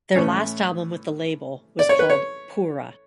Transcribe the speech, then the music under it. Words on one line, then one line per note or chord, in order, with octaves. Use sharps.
Their last album with the label was called "Pura".
A2 E3 A3 C#4 C#5
D5
C#5
B4
C#5